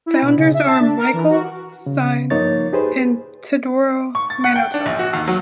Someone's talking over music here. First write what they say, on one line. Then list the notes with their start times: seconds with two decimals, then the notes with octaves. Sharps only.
Founders are Michael Singh and Teodoro Manotoc.
0.06 E4
0.22 B2
0.36 C#3
0.54 E5
0.67 A5
0.80 D4
0.98 A#4
1.13 E3
1.29 F#4
1.86 C#3
2.30 G2 F3 A#3 D#4 C#5 A6
2.72 D#4 G4 G#4 B4 C5
4.15 C#6
4.30 A6
4.44 F#5
4.56 G5
4.74 D4
4.86 A#1
4.99 F#4
5.13 D#2
5.28 F#3